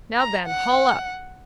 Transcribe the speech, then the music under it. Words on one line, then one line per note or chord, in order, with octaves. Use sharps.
Now, then, haul up.
A#5
F#5